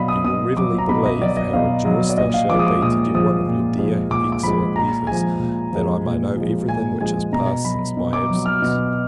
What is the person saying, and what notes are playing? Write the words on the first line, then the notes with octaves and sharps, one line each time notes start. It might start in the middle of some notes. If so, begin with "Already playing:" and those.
You will readily believe, how rejoiced I shall be to get one of your dear, excellent letters, that I may know every thing which has passed since my absence.
Already playing: B2 F#3 D5 D#5 F5 B5
D#6
B2 D#6
F#3 D6
A#5
B2 B5
D#5
F#3 D5
D#5
B2 F5
F#3 D#5
D5
A#2 D#5
F5
F3 G#3 D6
D#6
D6
A#2 D#6
F3 G#3 D#6
A#2
F3 G#3
A#2 D6
D6
F3 G#3 B5
A#2 A#5
F3 G#3 G#5
A#2
F3 G#3
A#2
F3 G#3
A#2 G#5
F3 G#3 G#5
B2 A#5
F#3 B5
B2
D6
F#3
F6
B2